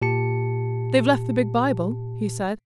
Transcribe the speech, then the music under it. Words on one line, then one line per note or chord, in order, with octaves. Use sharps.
"They've left the big Bible," he said.
A#2 G4 A5 C#7